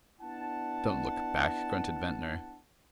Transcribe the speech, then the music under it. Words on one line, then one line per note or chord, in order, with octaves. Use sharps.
"Don't look back," grunted Ventnor.
B3 D4 E4 F#5 A5